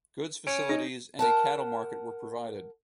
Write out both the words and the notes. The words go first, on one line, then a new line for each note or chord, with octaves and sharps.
Goods facilities and a cattle market were provided.
C#4 D7
D#4 A#6
A#4 F#5 A5